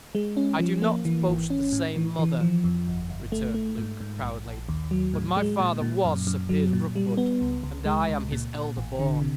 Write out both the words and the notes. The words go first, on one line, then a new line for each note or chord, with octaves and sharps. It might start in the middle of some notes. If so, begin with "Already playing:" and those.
"I do not boast the same mother," returned Luke, proudly, "but my father was Sir Piers Rookwood, and I am his elder born."
G#3
C#4
F3
A#3
E3
G#1
C#4
A2
E3
E3
F3
F2
G1
G1
A3
A3
G#2
G#2
A#1
A#1
D#2
F#3
A2
G#3
A#2
A#2
F#2
F#2
F#3
A#2
G3
B3
C#2
C#2
G#3
C#2
A#2
A#2
A1
D3
C3